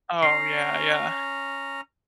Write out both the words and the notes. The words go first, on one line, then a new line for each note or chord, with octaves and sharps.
Oh, yeah yeah.
C#4 A#5 C7